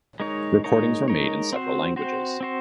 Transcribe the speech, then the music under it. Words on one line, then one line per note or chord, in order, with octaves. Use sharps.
Recordings were made in several languages.
G#3 D#4 A#4 C#5
G#3 D#4 A#4 C#5
G#3 D#4 A#4 C#5
C4 F#4 C5
C4 F#4 C5
C4 F#4 C5